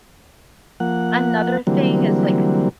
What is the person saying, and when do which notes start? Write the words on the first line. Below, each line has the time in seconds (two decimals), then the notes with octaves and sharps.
Another thing is like
0.80 F3 A#3 F#5
1.67 D3 E3 F#3 G3 A#3 C4